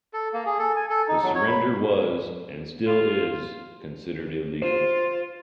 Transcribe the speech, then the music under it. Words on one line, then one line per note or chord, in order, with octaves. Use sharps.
This surrender was, and still is, considered illegal.
A4
A#3
G#4
A4
G#5
A4
D#4
F#3
C#5
B5
F4
F4 C5